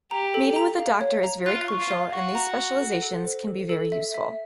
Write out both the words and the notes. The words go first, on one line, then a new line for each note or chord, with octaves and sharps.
Meeting with a doctor is very crucial and these specializations can be very useful.
G4 A#5
A4
A#5
F5
C#5
A#5
F4 F#6
C#6
F4
F5
F#4 C#6
A#5
C#6
A4
A4
C5
A4
A4
E5
E5